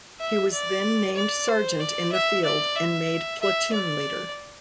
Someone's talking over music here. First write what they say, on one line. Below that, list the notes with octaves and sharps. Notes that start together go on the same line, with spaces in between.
He was then named sergeant in the field and made platoon leader.
E5
D5
D5
C5
D5
E5
D5
E5
E5
D5